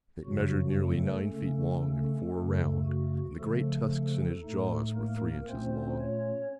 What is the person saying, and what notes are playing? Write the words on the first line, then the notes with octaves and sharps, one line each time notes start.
It measured nearly nine feet long, and four round, and the great tusks in his jaws were three inches long.
F#2 C#3 F#3 F#4
A3 A4
C#3 A3 C#4
A3 A4
F#2 C#3 A3 A4
F#4
C#3 F3 A3 A4
A2 A3 D#4
A#3 A#4
A#2 A3 C4 C#4 F4 C5
C#4 C#5